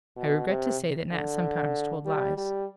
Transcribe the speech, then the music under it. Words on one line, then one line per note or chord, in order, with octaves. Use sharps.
I regret to say that Nat sometimes told lies.
B2
C3
D3
G3
G3